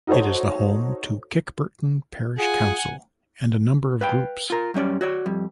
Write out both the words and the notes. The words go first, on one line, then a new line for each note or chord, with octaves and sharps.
It is the home to Kirkburton Parish Council and a number of groups.
D#4 F#4 A4 C5 C#5
F4 G#4 F#5 G#5
B4 F5 G5
F4 A#4
F#2 G3 C#4 D5
F#4 C#5 D5
F2 G3